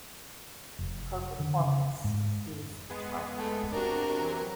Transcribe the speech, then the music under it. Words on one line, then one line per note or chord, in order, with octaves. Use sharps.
Her performance is a triumph.
F1
D3
C#3
G#2
G#3 B3 G#4
A3
C3 D4 F#4 A#4
E3 F#3